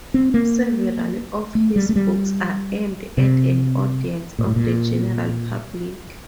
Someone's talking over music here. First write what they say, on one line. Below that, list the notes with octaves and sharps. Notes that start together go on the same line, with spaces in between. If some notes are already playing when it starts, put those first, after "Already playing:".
Several of his books are aimed at an audience of the general public.
C4
A#3
A3
G3
A3
G3
C3
A#2
A2
A#2